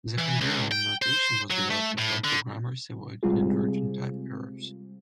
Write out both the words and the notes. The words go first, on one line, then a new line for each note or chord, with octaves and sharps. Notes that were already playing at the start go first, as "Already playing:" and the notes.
The Hungarian notation was developed to help programmers avoid inadvertent type errors.
E3
C#2
G5
C5
F#3
A3
A2
D3
C3 G3 G#3 C4 F4 G#4